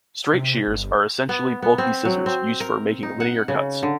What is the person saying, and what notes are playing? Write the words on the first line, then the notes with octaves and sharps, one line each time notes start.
Straight shears are essentially bulky scissors, used for making linear cuts.
C3
G1
B3
B3
C4
F#3
C4
A#4
D#4
F#5
C#3
D3